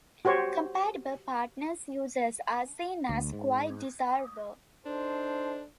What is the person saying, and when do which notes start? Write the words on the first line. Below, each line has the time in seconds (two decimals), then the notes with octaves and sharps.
Compatible Partners' users are seen as quite desirable.
0.25 F#4 G4 C5 C#5
3.09 D2
3.33 G#2
4.86 D4 D#4 A4 C5